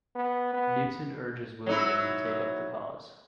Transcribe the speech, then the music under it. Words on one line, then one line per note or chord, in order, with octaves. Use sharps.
Newton urges William to take up the cause.
B3
B3
F#3 D#4 E4